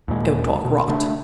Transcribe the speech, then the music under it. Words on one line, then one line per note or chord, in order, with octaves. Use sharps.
"Don't talk rot!"
D#2 A#2 G#3
B2
C#3 A3 D4